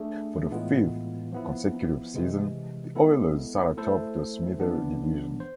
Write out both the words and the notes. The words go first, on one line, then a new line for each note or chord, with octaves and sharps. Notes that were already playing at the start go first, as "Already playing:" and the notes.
For the fifth consecutive season, the Oilers sat atop the Smythe Division.
Already playing: A3 D4 G#4
A2 E3 G#3 B3 F4
F3 B3 E4
C3 E3 G#3
G#3 B3 E4 A4
A3 E4 A4 C5
E3 B3 D4
C5